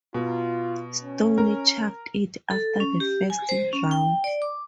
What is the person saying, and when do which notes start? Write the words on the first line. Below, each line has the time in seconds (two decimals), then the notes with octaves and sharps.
Stone chucked it after the first round.
0.14 B2 F4
1.02 C#4
1.38 A#4
2.51 A4
2.80 C#4
3.00 G4
3.30 G#5
3.49 C5
3.73 C#4
3.91 G5
4.24 D5
4.42 D6